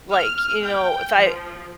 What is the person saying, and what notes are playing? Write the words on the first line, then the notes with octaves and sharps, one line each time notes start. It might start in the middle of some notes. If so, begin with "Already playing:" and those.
Like, you know, if I
F6
G5
F3